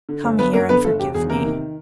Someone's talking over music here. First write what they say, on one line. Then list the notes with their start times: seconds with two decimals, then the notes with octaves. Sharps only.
Come here and forgive me.'
0.09 D3
0.24 G1
0.39 G1 B3 B4
0.53 F#2 A#3 A#4
0.69 D3 B3 B4
0.84 G1 A3 A4
0.99 E1 G4
1.14 E2 G#4
1.30 C3 A#3 A#4
1.45 D#3